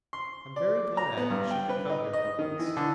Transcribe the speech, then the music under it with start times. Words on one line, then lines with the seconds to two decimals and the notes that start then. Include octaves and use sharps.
I'm very glad she could come here for once.
0.13 C6
0.56 D5
0.97 A#5
1.17 B3
1.30 G2
1.51 G5
1.69 B4
1.89 D#4
2.13 D#5
2.39 D#3
2.59 E3
2.77 D3